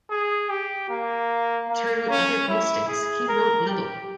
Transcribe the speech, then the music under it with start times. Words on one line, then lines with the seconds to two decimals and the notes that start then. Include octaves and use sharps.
Through other postings he wrote little.
0.10 G#4
0.50 G4
0.89 A#3
1.69 A#3
2.09 C#4
2.49 E4
2.88 G#4
3.28 A#4
3.68 G4